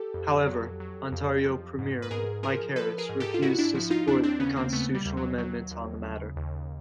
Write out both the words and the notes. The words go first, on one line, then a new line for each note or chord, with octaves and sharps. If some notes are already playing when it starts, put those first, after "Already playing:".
However, Ontario Premier Mike Harris refused to support a constitutional amendment on the matter.
Already playing: G4 A4
F2
F#3
F#3
F2
F3
G#2
B4
G#2 G#4 A#4
F3 G#4 A#4
F3 A4 B4
G#4 A#4
G#2
G4 A4
F4
G#2 E4 F#4
D4 E4
F3 E4 F#4
D#4 F4
D#2 D4 E4
C4 D4
C#3 B3 C#4
A#3 C4
C#3 A3 B3
G3
D#2
F#3
F#3
D#2
C#3
D#2